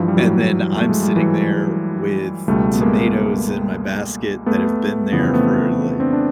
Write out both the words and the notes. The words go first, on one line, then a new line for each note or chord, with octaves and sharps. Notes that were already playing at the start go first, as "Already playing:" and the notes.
And then I'm sitting there with tomatoes in my basket that have been there for like
Already playing: G2 E3 F3
G3
E3 F#3
A3
G#3
G3
E3 F#3
C#2 B2 G3 A3
B3
G#3 A#3
A3 B3
F2 C#3 E3 B3
C4
A3 B3
C4 D4
D4